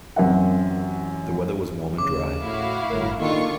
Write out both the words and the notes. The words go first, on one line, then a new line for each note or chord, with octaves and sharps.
The weather was warm and dry.
A1 F#2 C4 A#4 E5 F#5
C#3 D6
A2 E4 F#4 F5
G1 A2 A#4
D#3 A#3 D4 F4 A4 C#6